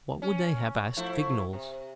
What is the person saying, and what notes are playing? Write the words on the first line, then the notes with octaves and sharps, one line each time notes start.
What would they have, asked Vignolles.
C#4
F3 A3 E4
C3